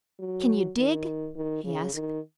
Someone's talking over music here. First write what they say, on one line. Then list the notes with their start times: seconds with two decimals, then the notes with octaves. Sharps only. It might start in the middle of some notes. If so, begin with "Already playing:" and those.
"Can you dig?" he asked.
0.19 F#3
0.78 D#3
1.36 D#3
1.64 C#3
1.93 D#3